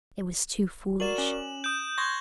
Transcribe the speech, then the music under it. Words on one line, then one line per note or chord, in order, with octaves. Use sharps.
It was too foolish.
F#4 A#4 D5 E7 F#7
C#4
D#6 G6 D7 E7
C6 C#6 F#6 G#6 A#6